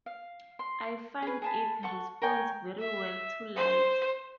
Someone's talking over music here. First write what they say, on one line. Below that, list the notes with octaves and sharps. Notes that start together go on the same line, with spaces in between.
I find it responds very well to light.
F5
C6
G#4 B4
G#4 A5 B5
A4 F#5 C#6
A#4 C#5 G5 G#5
E5
C5